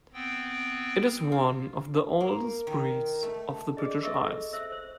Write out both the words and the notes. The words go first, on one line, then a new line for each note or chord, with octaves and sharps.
It is one of the oldest breeds of the British Isles.
B3 C4 G5
F4
A#3
D#3
A3
G#4 D5 D#5
A4 D#5 E5 C#6 D6 E6
A4
C5 E5 E6
C5